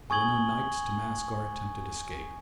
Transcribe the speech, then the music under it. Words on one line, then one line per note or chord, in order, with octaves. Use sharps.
There were no nights to mask our attempted escape.
G#5 C#6 D#6 G#6 F#7 G7